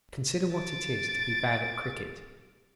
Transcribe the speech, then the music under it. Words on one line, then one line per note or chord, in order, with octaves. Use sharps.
Consider what it is to be bad at cricket.
A6 D7